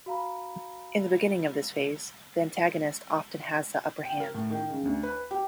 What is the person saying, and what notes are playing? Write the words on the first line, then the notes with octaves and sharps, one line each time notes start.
In the beginning of this phase, the antagonist often has the upper hand.
F#4 F5 A#5 B5
G5
A#4
A2
D#3
C#3
D2
B4
G4